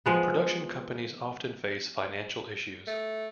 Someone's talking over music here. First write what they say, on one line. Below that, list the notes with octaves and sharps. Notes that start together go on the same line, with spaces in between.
Production companies often face financial issues.
F3 G#3 B3
A3